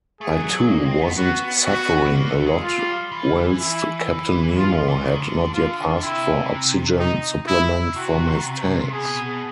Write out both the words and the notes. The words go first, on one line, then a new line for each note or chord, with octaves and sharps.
I too wasn’t suffering a lot whilst Captain Nemo had not yet asked for oxygen supplement from his tanks.
A3 G#4
F#3
F#3
A#3
C4
B3
B3 F#4
F#4
A#3
A3
G#3
F4
G3
E3
E4
E3
F3 F4
F3
E3
D#3
D3
D3
D3 F4
C3 E4
D#4
E4
C3 F#4
B2 G#4